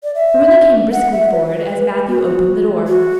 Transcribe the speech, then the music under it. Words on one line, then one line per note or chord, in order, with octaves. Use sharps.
Marilla came briskly forward as Matthew opened the door.
D5
E5
F#5
E5
B4
F#4
F#4